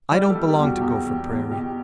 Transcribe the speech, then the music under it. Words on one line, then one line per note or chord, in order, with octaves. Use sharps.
I don't belong to Gopher Prairie.
G3 D5
A4
G3
G4
E2
F#4
E2 G4
E2
E2
B2 G4